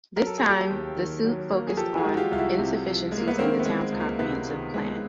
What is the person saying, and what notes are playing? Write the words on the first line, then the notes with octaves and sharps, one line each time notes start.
This time, the suit focused on insufficiencies in the town's comprehensive plan.
F#3 A#4
A4
G#4
A#3
G4 A4
D#2
D#3
F#3
A#3
G#4
F3 G4 A4
F#4 G#4
G#3
F#4
F4 G4
C2 F4
E4 F#4
C3
F3
G#3
A#3
B3
D#3 A#3 C4
B3
G#3
C#2
A#3
C3 B3
D#3
G#3